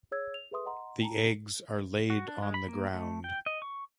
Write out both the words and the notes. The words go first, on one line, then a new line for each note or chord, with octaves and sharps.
The eggs are laid on the ground.
G#4 C#5 E6 G#6
F7
G#4 A4 B4 E5 C6 D#6
D#5 F#5 A#5 C6
G5 A5 A#5
F#4
D4
G#3
B5
A#3
A3
G5
D#5
C#6